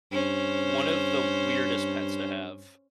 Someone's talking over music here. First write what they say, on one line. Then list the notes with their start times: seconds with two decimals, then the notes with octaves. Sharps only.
one of the weirdest pets to have?
0.12 G2 C#4 C5